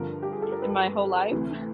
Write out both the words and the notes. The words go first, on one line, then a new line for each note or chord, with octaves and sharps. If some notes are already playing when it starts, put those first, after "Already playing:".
in my whole life. S
Already playing: G2 D3 F3 A#4
G4
G#4
A4
A#4
B4
D2 C3 E3